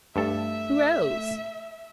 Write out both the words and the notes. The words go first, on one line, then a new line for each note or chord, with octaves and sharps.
Who else?
G2 A3 A4 E5